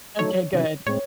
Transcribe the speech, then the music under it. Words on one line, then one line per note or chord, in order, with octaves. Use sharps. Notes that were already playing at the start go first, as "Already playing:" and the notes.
Okay, good.
F#3 A3 D#4 A4 C#5
C3 D#3 F#3 C#4
A2 G#3 C4 C#5